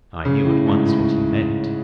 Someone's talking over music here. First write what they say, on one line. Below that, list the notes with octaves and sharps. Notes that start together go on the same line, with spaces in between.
I knew at once what he meant.
C#3
A2
G#2
A2